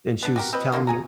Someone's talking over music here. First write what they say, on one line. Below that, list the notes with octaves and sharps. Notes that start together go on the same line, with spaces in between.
and she was telling me
B3 D4
F#4 G4 A#4
C4 B4 D#5
D3 A#3 D#4 F4
G#4 G#5 A#5